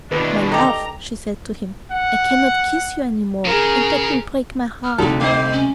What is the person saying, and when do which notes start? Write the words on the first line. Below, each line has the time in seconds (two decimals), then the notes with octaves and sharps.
"My love," she said to him, "I can not kiss you any more, and that will break my heart."
0.12 D#2 B2 D4 E4 B4
0.52 D#4 G4 A4 A#5
1.92 F#5
3.46 C#3 G#4 A#4
4.84 F6
4.98 D2 C3 G3 D#4 F#4 A4
5.20 A3 D#4 C5 F5
5.53 C#4